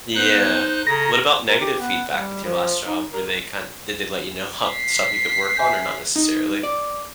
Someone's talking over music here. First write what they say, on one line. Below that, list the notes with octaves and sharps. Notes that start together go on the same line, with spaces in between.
Yeah. What about negative feedback with your last job? Were they kind did they let you know how stuff you could work on or not necessarily?
B3 D#4 C5 F#6
C#3 A4 A#5 D#6
A#4
G4
B3
G3
F3
D#4
A#4
B6 C7
E5 G#5 G6
D#4
D5